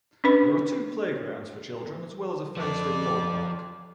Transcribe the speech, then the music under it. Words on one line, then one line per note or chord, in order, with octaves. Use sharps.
There are two playgrounds for children as well as a fenced-in dog park.
C#4 D4 B4 B5
F3 A4 D5